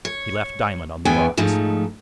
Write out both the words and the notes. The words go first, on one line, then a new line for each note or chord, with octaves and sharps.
He left Diamond on the box.
C#5
E2 B3 G5 G#5
G#2 F3 A3 D#4